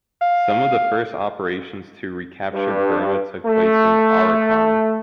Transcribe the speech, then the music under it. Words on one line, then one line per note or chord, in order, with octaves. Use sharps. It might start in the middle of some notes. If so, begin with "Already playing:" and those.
Some of the first operations to recapture Burma took place in Arakan.
F5
G2
A3